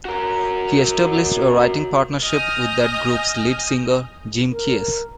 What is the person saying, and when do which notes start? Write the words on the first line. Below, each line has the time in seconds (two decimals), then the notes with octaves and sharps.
He established a writing partnership with that group's lead singer, Jim Keays.
0.05 F#4 A#4
2.24 D#5 G#5 D#6 F6 G6 A#6
4.51 A#4